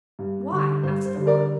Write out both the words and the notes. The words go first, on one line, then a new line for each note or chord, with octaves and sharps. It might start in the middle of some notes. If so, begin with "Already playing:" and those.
'Why?' asked the ranee.
G2
D3 G3
G2 C5
C5
D3 G3
A#4 D5